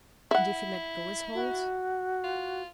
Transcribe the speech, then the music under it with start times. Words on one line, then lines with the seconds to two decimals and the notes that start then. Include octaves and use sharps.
And if he let go his hold?
0.31 E4 E5 F#5
1.34 F#4
2.24 F4